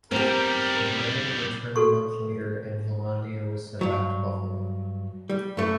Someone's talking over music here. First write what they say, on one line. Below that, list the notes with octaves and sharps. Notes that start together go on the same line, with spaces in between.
Cabrera returned a month later, and Velandia was sent back to Buffalo.
B1 G3 C4 G4 A#4
F#4 A4 C#6
G2 F#3
G3
F#2 A3